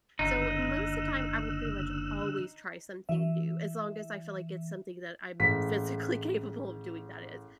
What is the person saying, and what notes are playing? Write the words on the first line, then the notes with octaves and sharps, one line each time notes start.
so, most of the time, I will, pretty much, always try something new as long as I feel like it's something that I'm physically capable of doing, that is.
F#1 D3 D#4 E6 F#6
E3 E5
A1 G#3 B6